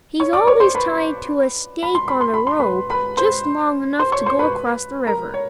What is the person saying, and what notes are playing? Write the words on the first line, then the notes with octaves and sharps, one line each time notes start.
He's always tied to a stake on a rope just long enough to go across the river.
C#5 C#6
D5 D6
C#5 C#6
C5 C6
B4 B5
B5
C6
B5
C6
B5
C6
B4 B5
B4 B5
C5 C6
C5 C6
C#5 C#6
C5 C6
B4 B5
A#4 A#5
C#5